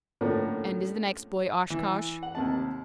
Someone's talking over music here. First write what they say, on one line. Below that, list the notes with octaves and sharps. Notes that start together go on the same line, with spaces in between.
"And is the next boy Oshkosh?"
A2 D3 F3 A#3 C#4
E3
F#5
D#2 C3 A5